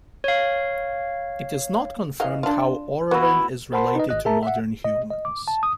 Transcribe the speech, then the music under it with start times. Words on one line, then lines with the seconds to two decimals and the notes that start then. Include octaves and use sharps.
It is not confirmed how "Orrorin" is related to modern humans.
0.24 C#5 F5
2.20 E3 D#5 F5
2.43 D4 F4
3.11 B3 E4 F#4
3.72 A#4 C5 F#5 A5 B5 C6
3.95 D#4 B4 D#5
4.09 G#1 D#5 F#6
4.25 G#4 A#4 E5 A5 A#5
4.43 E5 F#5
4.85 D#5
5.10 D#5
5.25 D6
5.48 A5
5.63 D#6